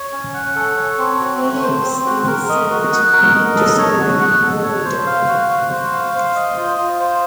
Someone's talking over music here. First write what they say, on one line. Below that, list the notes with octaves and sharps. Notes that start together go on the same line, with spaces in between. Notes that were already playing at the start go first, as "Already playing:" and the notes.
He lives in Saint Petersburg, Florida.
Already playing: C#5
C#4
F#5
A4
C#5
C4
F#4
A3
C5
C4
F#4
A#4
D#5
F#4
F#5
A#4
D#5
A4
C#5
F#4
F#5
A4
C#5
C5
F5
F#4
F#4
C5
F5
C5
D#5
F4
F4
C5